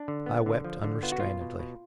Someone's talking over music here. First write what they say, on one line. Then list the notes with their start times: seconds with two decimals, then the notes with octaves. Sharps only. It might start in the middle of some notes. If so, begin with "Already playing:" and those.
I wept unrestrainedly.
Already playing: D4
0.08 D3
0.26 B3
0.46 D3
0.65 F3
0.84 D3
1.03 B3 F4
1.12 F#4
1.20 B2 F4
1.41 B2
1.59 B2